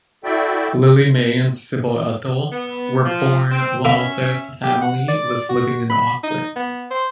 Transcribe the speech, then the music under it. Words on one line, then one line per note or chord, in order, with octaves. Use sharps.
Lily May and Cybele Ethel were born while the family was living in Auckland.
E4 F#4 A4 D5 E5 G5
B3
F3
C4
A#3 C#4 E5
G4
F#5
D5
F#4
B5
D#4
B3
C5